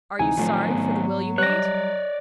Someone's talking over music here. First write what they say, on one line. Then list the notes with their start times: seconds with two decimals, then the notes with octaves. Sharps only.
"Are you sorry for the will you made?"
0.19 D2 C3 E3 D#4 G#5
0.38 A2 D#3 F3 F#3 A3 C4
0.70 G#2 B3
1.38 G3 C#5 D5 F#6 A#6